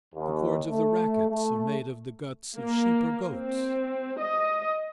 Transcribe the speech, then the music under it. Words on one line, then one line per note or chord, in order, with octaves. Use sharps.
The cords of the rackets are made of the guts of sheep or goats.
D#2
A3
A3
A#3
C4
D#5